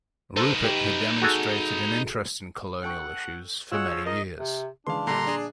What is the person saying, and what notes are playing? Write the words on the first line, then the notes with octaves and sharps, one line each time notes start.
Rupert had demonstrated an interest in colonial issues for many years.
D#4 A4 B4 C5
G4
F#4 G#4 A4
A4 F#5 G5 C#6
F4 F#4 G#4 C#5 D#5 F#5 E6
F3
A#4 D#5
C3
C#3 E3 G#3 D4 F5 C6
A#1 A#2 D3 G3 A#5 C6
D4 G#4